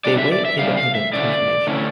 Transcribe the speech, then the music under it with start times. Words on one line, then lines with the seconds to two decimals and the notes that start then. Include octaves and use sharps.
They await independent confirmation.
0.05 C#3 G3 D4 D5
0.18 E5
0.32 D5
0.45 E5
0.59 C#3 G3 D4 F5
0.77 F5
0.95 E5
1.13 D3 A3 C#4 E4 D5
1.67 D3 A3 C#4 E4